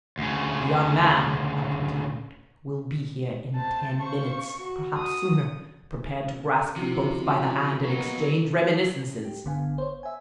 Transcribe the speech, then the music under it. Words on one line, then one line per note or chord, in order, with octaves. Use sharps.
"The young man," I continued, "will be here in ten minutes--perhaps sooner--prepared to grasp you both by the hand and exchange reminiscences."
D2 C#3
C5 A5
C5 F5 C#6
F#4
D#6
C3 F3 E4 F#4
F#3 A#3 B3 D#4 B4
G4
G1 D3 B3 F5 G#5
C5 C#5
E5 G#5